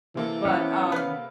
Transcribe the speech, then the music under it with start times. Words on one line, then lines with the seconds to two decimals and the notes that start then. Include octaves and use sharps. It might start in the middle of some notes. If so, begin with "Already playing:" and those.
but, um,
0.15 C3 E3 A#3 A4
0.45 B3 C#4 F#5
0.92 B4 F5